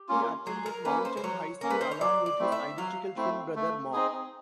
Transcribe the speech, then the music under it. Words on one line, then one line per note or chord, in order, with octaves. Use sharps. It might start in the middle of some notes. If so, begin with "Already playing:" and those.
He attended Mountain High School along with his identical twin brother Mark.
Already playing: G4
A#3 C#4 F4
F#3 G#4
A#4
A#3 C#4 B4
C5
C5
F#3 C#5
A#3 C#4 A#4
B4
C5
C#5
F#3 D5
D5
A3 C4 E4
E5
F#3 F5
A3 C4 E4
A3
C4 D#4 G#4